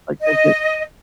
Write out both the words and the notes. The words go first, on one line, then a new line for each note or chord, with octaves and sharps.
like, I can
D#5